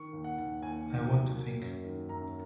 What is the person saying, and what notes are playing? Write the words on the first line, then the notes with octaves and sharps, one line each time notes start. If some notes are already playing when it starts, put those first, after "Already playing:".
I want to think.
Already playing: D#3 C#6
D#2
F#5
D#2
D#2 G#5
D#3
F#3
A#3
F#2
D#3
F#2 A#5